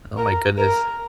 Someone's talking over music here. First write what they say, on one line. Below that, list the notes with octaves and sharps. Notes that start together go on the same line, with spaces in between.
Oh my goodness.
A#4
A#4